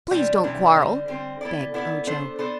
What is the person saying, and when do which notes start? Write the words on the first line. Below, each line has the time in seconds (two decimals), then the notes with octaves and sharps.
"Please don't quarrel," begged Ojo.
0.11 C3 E3 G3 D4
0.43 C3 E3 G3 D4
0.76 D3 G3 C4
1.08 D3 G3 C4
1.41 B3 E4 A4 D5
1.74 B3 E4 A4 D5
2.07 B3 D4 A4 C5
2.39 B3 D4 A4 C5